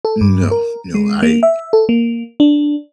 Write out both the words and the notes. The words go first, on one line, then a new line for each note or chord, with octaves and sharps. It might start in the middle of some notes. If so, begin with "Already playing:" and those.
No, no, I
A4
G2
A#4
G#3
A#3
E5
A4
A#3
D4